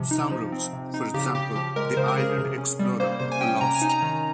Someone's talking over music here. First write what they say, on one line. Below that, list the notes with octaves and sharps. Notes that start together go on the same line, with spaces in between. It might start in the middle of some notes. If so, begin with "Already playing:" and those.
Some routes, for example the "Island Explorer" were lost.
Already playing: C3 F3
D#4
F3
C4
C3
D#4
C#3 G4
C#3 G4
F3 G4
G#3 A#4
A#4
C#3 C5
A#4
C#3 G#4
C3
C#4
G3
A#3 C5
C3 C5
G#5
C#4 G5
C3 A#5
G#5
D#4
A#5
D#3